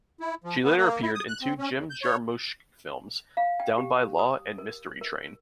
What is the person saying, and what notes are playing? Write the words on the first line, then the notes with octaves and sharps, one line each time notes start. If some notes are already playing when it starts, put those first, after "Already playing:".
She later appeared in two Jim Jarmusch films, "Down by Law" and "Mystery Train".
E4
F3
B3
A#3
E4
D#6
F#6
C4
C#4
E2
G6
C#5
F5
G5
G4
D#6
A#4
A#4